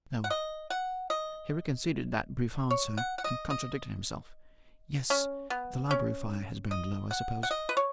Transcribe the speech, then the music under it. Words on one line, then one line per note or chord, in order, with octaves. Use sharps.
"No." He reconsidered that brief answer, and contradicted himself. "Yes--the library fire has burned low, I suppose."
F#5
D#5
F#5
D#5
C#5
F#5
F#5
D#5
D#5
C#4
B3
C#4
D#5
F#5
F#5
D#5
B4
C#5